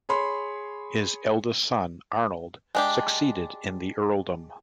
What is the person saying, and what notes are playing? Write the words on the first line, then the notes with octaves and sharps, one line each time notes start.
His eldest son Arnold succeeded in the earldom.
G#4 C#5 B5 C6
G#3 D4 G4